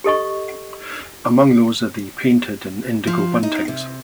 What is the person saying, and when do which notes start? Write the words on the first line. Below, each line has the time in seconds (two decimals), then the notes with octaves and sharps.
Among those are the painted and indigo buntings.
0.04 G4 A4 D#5 C#6
3.07 F3
3.43 D#4
3.68 C3